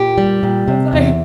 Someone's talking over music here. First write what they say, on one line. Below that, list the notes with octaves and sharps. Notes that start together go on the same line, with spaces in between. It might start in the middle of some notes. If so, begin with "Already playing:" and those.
It's like,
Already playing: A#2 G4
G3
A#2
C3
E2